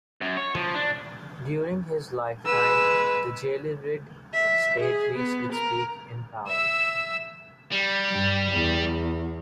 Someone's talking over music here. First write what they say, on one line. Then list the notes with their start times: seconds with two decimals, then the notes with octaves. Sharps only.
During his lifetime, the Jalayirid state reached its peak in power.
0.21 F#2
0.37 C#5
0.55 F3
0.75 D4
2.46 G#3 B4 E6
4.33 E5
4.80 G#4
5.17 B3
5.52 A#4
6.47 E5 E6
7.72 G3
8.10 G2
8.51 E2